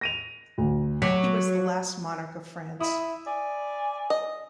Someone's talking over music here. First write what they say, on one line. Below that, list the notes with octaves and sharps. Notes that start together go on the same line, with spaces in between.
He was the last monarch of France.
A#6 D#7 F7
D2
F#3 D6 B6
E4 E5 B5 D#6
D5 G#5
D#5